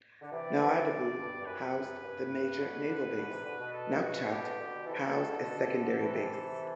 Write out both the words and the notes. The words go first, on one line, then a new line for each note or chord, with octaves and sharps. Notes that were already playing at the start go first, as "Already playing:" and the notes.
Nouadhibou housed the major naval base; Nouakchott housed a secondary base.
D3
C3 E3 D5
C3 E3
G2
G2
F#2 B4
G2
B2 D3
B2 D3
B2 D3
C3 E3
B2 D3
B2
A4
F#4
B2 D3 G4
B2 D3
C3 E3 A4
B2 D3
B2 D3
C3 E3